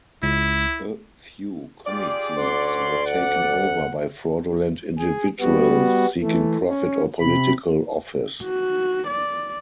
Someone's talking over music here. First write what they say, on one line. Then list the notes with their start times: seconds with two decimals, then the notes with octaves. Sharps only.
A few committees were taken over by fraudulent individuals seeking profit or political office.
0.23 C#2 E4
1.87 F4 G4 G#4 D5
2.36 D2 C#4 F#5 C6
3.06 F#5
4.98 G#4
5.41 G3 B3 F#4
6.21 E3 A3
6.68 C#4
7.20 C3 B5
8.43 F#4
9.07 D5